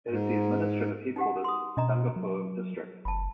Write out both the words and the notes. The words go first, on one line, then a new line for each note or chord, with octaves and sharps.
It is the administrative headquarters of Dungarpur District.
G#2
D#4 G4 F#5
C6 D#6
B2 D4 D#5 A#5
F#3
F#1 A5 B5